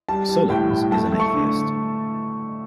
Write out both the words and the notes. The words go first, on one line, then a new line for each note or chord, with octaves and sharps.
Solondz is an atheist.
G3 A5
G3
A2 G5
A2
A3 A5
A3
C#6
D3